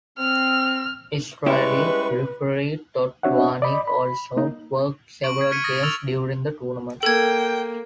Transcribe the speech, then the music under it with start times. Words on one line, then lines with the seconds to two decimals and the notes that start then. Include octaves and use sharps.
Israeli referee Todd Warnick also worked several games during the tournament.
0.19 C4 F6
1.46 G3 G#3 C#4 E4 G4 B4 C#6
3.23 C4 D4 F#4 C#5 E5 F#5
3.62 D5 D#5 B5
3.87 B5
4.37 A#3 D#4
5.24 C#6 D7 F#7
5.38 C#6 G#6
5.51 F6 G#6 B6 C#7 D#7
5.64 D#6 A6 A#6
5.83 C#6 E6 F6 A6 F7
7.03 A#3 A4 G5 G#6